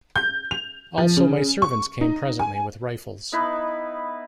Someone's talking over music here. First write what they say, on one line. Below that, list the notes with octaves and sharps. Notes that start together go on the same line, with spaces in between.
Also my servants came presently with rifles.
G6
F7
F3
C#3
C#6
D#4
G#5
B3 D#4 E4 B4